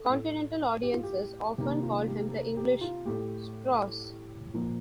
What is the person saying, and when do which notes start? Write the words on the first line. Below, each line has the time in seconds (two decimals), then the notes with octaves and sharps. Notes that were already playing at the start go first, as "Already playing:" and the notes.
Continental audiences often called him "The English Strauss".
Already playing: A4
0.09 A2 A3
0.83 G4
0.93 F4
1.03 G4
1.58 C3 D#3 A#3 G4
1.83 F4
2.08 G4
2.32 A4
2.57 G4
2.81 F4
3.05 A2 A3 G4
4.53 A#2 F3 A#3